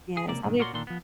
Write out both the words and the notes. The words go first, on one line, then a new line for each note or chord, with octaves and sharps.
Yes, I'll be
G#4
C#2 C3 A#3 D5
G2 A#2 D#3
A#2 F#4 A#4 C#5 D5 C6
A#2 D3 D#3 A#3 D4 C6
F3 B3